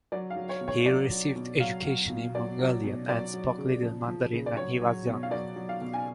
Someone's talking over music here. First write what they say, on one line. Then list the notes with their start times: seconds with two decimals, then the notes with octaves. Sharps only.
He received education in Mongolian and spoke little Mandarin when he was young.
0.12 F#3 D5
0.30 F5
0.37 F#3
0.49 C#5
0.61 B2
0.68 C#5
0.86 F#3 D5
1.11 F#3
1.35 B2
1.60 F#3 F5
1.85 F#3
2.10 B2
2.35 F#3 D5
2.59 F#3
2.84 B2
3.09 F#3 D5
3.33 F#3
3.58 C#3
3.82 F3
4.08 F3
4.32 C#3
4.46 D5
4.56 F#3 C#5
4.81 F#3
5.07 B2
5.23 F5
5.31 F#3 D5
5.56 F#3
5.69 F5
5.81 B2
5.93 G#5